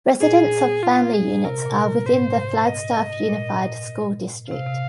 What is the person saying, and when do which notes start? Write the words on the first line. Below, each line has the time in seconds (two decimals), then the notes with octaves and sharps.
Residents of family units are within the Flagstaff Unified School District.
0.21 A#2 G#4
0.83 F4
1.14 G#4
1.44 C3 A#4
1.66 A#2
2.06 G#2 C5
2.67 D#5
3.29 A#2
4.51 C3 F5
4.67 C3